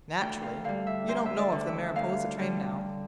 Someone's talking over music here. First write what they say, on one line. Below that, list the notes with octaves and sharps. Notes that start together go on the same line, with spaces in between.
Naturally you don't know of the Mariposa train now.
D2 G5
F5
D3 G3 F5
E5
D2 C5
E5
D5
D3 G3
E5
D2 F5
D3 G3